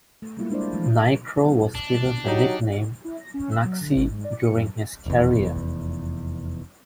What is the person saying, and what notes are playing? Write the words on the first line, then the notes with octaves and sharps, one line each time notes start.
Niekro was given the nickname "Knucksie" during his career.
A3
G3 G#3 A#3 E4 F4
G#3 D4 E4 C5 D5
E3 F3 G#3 A3
D4
F#3 D#4 G4
E4
A#6
C#4
E6
F#3
D3
G#1
G#2
D5
C#7
F#2
F1 E2